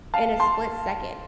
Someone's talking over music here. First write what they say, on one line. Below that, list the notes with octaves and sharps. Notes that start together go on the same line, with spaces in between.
in a split second.
F5 A5
A5 C6